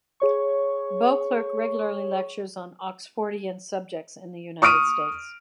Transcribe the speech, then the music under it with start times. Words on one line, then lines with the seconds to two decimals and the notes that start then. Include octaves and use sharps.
Beauclerk regularly lectures on Oxfordian subjects in the United States.
0.20 G#4 C#5 C#6
4.62 C#6 D#6 F6 D7 D#7